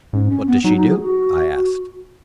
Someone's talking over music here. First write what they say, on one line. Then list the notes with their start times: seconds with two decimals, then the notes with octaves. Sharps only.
"What does she do?" I asked.
0.13 G#2 C#4
0.30 C#4
0.47 B3
0.64 F#3 D#4
0.77 D#4
0.89 G#4
1.02 F#4